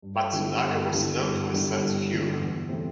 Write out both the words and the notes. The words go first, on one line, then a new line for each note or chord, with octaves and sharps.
Matsunaga was known for his sense of humor.
G2
D3 G3 B3 E4
G2
D3 G3 B3 E4
G2
D3 G3 B3 E4
G2
D3 G3 B3 E4
E2
C3 E3 A3 C4